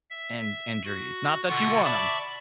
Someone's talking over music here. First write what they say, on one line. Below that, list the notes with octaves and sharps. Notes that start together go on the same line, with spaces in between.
an injuries. Not that you want 'em,
E5
F#4
B2 D3 F4 F#5 C#6
D5 E5 A5 B5 C#6 D6